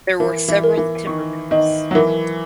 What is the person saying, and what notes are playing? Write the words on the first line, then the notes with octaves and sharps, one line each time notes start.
There were several timber mills.
E3 A#4
E3
A#4
E3
D#3 C#6
D#3 D#5
F#3
E3 A#4